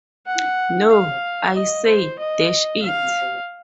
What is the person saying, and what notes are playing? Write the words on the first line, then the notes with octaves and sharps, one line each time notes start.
No, I say, dash it!
F#5
F5
D#5
C5
D#5
F5